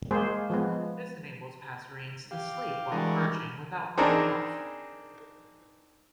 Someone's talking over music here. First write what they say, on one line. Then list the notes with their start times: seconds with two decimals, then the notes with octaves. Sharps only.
This enables passerines to sleep while perching without falling off.
0.11 G#3 A#3 G#4 C5
0.50 F3 G#3 B3
2.31 G4 F5
2.92 E3 G3 G#3 D4 F#4 A#4
3.97 C4 D4 D#4 G#4 A#4